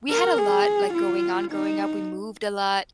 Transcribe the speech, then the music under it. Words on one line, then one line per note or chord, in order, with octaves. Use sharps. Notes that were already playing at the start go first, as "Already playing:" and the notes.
we had a lot, like, going on, growing up, we moved a lot,
A#4
G#4
F4
D#4